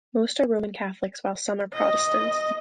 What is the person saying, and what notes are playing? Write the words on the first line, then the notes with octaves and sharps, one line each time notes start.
Most are Roman Catholics, while some are Protestants.
D#5